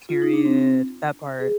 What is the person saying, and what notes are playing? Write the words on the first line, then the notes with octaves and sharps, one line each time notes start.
Period, that part.
F4
D#4
D4
C4
G#4